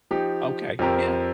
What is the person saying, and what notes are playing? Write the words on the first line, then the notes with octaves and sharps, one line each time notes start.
Okay, yeah.
F3 D#4 G4
F2 F3 C4 G4 A#4